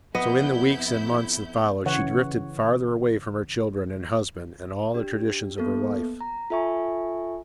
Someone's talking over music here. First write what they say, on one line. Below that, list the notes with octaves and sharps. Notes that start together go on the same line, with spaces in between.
So in the weeks and months that followed she drifted farther away from her children and husband and all the traditions of her life.
F2 B3 E4 D#5 G6
C#3 E3 C#5 F#5
D4 G4
A#3 B3 A4
A#5
F4 A4 E5 G#5 C#6